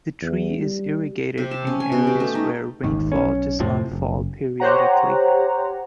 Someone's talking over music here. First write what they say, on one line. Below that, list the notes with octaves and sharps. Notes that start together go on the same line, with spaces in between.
The tree is irrigated in areas where rainfall does not fall periodically.
E2
G3
C3
A5
C#4
G#5
B2
G4
A3
D#4
D#1 G#1 D#2 D#3
B1 C#4
F2 A2 C3 F3
F#1
G4 C5 C#5 F#5 A#5